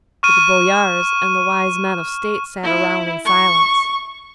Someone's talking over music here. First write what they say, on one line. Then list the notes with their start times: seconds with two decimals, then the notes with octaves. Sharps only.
But the boyars and the wise men of state sat round in silence.
0.23 C#6 F6 D#7
2.63 E4
3.25 C#6